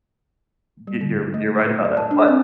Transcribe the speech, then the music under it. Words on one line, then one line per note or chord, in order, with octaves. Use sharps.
y you're you're right about that, but
G3
D3
A3
B4
D5
A5
D4
C4